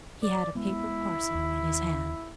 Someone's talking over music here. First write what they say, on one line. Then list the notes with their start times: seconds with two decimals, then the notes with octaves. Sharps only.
He had a paper parcel in his hand.
0.23 D5
0.55 G#3 B3 E4
1.34 D#2